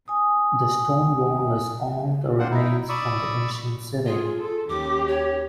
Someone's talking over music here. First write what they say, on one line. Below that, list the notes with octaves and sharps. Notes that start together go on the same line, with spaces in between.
The stone wall is all the remains from the ancient city.
G#5 D#6
C4 D4 F4 C5 F#5
D#4 E4
D5 B5 C#6 D#6 E6
F4 G#4
A4
D#2 C#4 G4 D6
C#5